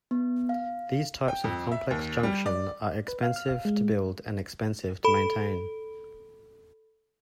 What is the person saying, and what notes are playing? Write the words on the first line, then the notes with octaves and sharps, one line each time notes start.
These types of complex junction are expensive to build and expensive to maintain.
B3
F5
G5
F2
E5
D#2
G3
D5
B4
F5
F6
F5
G#3
A4 B5